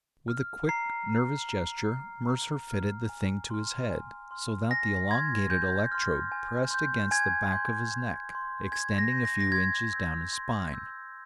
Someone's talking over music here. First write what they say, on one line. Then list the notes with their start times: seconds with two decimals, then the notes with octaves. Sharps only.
With a quick, nervous gesture, Mercer fitted the thing to his head, so that the elongated electrode pressed against the back of his neck, extending a few inches down his spine.
0.28 F6
0.69 A#5 C7
1.09 F6
1.49 A#5
1.89 F6
2.29 A#5
2.70 F6
3.09 G#5
3.50 C6 F6
3.90 G#5
4.31 C6 F6
4.70 G#5 A#6
5.10 C6 F6 G#6
5.50 G#5 G6
5.92 C6 F6
6.32 G#5
6.71 C6 G6
7.11 G#5 G#6
7.52 C6 G6
7.91 G#5
8.32 C6 G6
8.72 G#5 G#6
8.98 A#6
9.12 C6 G6
9.25 A#6
9.40 A#6
9.52 C6 G#6
9.93 E6 G6
10.33 C6
10.74 E6 G6